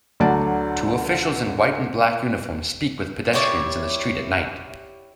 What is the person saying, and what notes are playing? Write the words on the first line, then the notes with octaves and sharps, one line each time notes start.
Two officials in white and black uniforms speak with pedestrians in the street at night.
D2 D3 F#3 D5 A5
E4 G4 C#5 D5